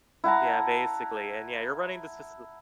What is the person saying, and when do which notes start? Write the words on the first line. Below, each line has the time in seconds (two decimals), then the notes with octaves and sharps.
Yeah, basically, and yeah, you're running this facil
0.24 E4 F#5 A5 A#5